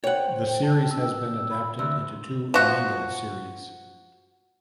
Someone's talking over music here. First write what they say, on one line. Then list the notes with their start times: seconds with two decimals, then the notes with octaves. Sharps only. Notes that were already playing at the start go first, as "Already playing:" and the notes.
The series has been adapted into two manga series.
0.04 C5 C#5 F#5 G5
0.63 A5
0.91 E6
1.51 B5
1.79 D2 E6
2.54 F3 F#4